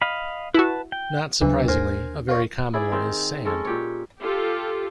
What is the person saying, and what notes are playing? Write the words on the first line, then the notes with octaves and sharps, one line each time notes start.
Not surprisingly, a very common one is sand.
D#5 F5 B5
E4 F#4 B4 A5
G5
D2 C#3 E3 F#3 D4
D#2 A#4 C5 G#5
F4 A#4 C#5
E4 G#4 B4 D5
D#3 C4
G#3 C#4 A4
A#2 G4 C#5
F4 G4 A4